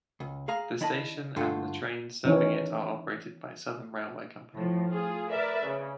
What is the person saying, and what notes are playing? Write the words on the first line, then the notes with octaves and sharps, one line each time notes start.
The station and the trains serving it are operated by Southern railway company.
C#2
G#4 F5 A#5
D#3 E4 D5 D#5 A5
G2 D3 A3 F4
D#3 E3 C#4
A2 F3
F4 G#4
A#4 B4 D5 E5
C#3